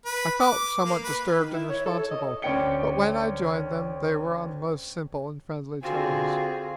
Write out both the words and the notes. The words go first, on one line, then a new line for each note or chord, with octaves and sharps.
I felt somewhat disturbed and responsible, but when I joined them they were on most simple and friendly terms.
B4
D6
A#3
B4
D#3
E4
C#5
A4
C#5
D#5
D2 C#4 D5 G5 C#7 G7
D3 C4 F4 F#4 G#4